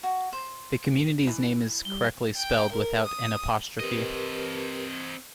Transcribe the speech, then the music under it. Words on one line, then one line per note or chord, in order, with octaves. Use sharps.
The community's name is correctly spelled without an apostrophe.
F#4
C5
E3
G3 G7
G5
A#4
D#6
C4 G4 A#4 B4 D#5